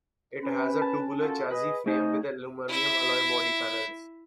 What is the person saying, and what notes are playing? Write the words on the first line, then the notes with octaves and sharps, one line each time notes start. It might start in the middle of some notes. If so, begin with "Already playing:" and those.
It has a tubular chassis frame with aluminium alloy body panels.
C#4 B4
A5
F4 F#4 A4
G#4 B4 D#5
A3 D#4 C5 D#5
E4 E5